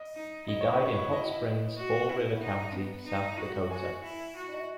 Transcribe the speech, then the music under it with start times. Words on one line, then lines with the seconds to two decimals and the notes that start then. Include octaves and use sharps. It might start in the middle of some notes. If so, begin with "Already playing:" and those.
He died in Hot Springs, Fall River County, South Dakota.
Already playing: D#5
0.15 D#4
0.48 E4 D#5
0.61 C#5
0.73 B4
0.86 C#5
1.13 D#5
1.77 F#4
2.09 E4
2.42 D#4 F#5
2.74 B3
3.07 D#4
3.38 F#4
3.71 F#4 G#5
4.04 E4
4.36 F#4